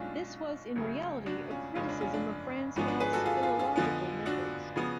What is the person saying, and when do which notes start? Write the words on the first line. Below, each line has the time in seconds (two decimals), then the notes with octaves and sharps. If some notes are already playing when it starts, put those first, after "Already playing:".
This was in reality a criticism of Franz Bopp's philological methods.
Already playing: B1 B2 G#3 C#4 D4 F4
0.76 C#2 C#3 F#3 A3
1.26 D4 F#4
1.50 C#4 F4
1.75 F1 F2 C#3 G#3 C#4 F4
1.89 D4
2.01 C#4 F4
2.13 D4
2.76 G#1 G#2 F3 B3 C#4
2.88 D4
3.00 G#4 B4
3.13 F#4 A4
3.25 F4 G#4
3.43 F4 G#4
3.59 F4 G#4
3.76 F2 D3 F3 B3
4.26 D4 F#4
4.76 C#3 F3 B3